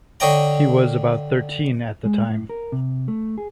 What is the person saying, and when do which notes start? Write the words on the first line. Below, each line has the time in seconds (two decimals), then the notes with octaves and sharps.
He was about thirteen at the time.
0.20 D3 C#5 D#5 G5 A#5
2.05 G#3
2.30 A2
2.49 A#4
2.72 C3
3.08 A3
3.38 G#4